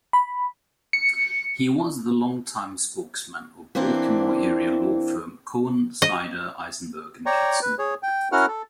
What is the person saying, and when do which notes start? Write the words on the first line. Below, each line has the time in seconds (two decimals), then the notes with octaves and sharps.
He was the longtime spokesman of Baltimore-area law firm Cohen, Snyder, Eisenberg and Katzenberg.
0.13 B5
0.93 C#7
3.75 E3 A#3 C4 D4 E4
6.02 D#5
7.26 C#5 D5 G5 A#5 C#6
7.62 B4
7.79 G#4 C#5
8.03 G5
8.32 C#4 E4 F#4 A#4 F#5 F6
8.48 A4